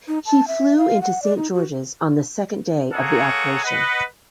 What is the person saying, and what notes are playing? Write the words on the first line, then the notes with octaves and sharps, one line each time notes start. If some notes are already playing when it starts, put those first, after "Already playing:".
He flew into Saint George's on the second day of the operation.
D#4
A5
E5
F5
F#5
D5
D#4
F#4
A#3 G#4 A4 C#5 F#5 A#5
B4 D#5 F#5